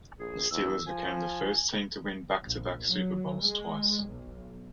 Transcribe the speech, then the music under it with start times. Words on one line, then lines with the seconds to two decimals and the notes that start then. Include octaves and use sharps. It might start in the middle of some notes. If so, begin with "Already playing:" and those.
The Steelers became the first team to win back-to-back Super Bowls twice.
0.19 A#1 G#4
0.51 E2 E6
0.86 F3 G#5
2.42 A#1
2.89 F#3
3.40 G#3
4.07 B1